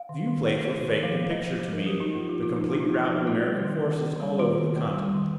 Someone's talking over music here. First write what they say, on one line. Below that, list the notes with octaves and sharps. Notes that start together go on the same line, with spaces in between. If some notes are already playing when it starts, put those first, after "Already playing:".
Viewplates were faked to picture to me the complete rout of American forces all over the continent.
Already playing: F5
D#3
D#3
A#3 C5
A#3
D#3
F3 F5
A#3
D#5
A#3
F3 C5
F3 A#4
G4
A#3 D#4
A#3 F4
F4
F3
F4
F3 D#4
A#3 F4
D#4
A#3 F4
F3
A#3 F4
G3
D#3
D#3
A#3
G3
D#3 F4
D#3
A#3
G3
D#3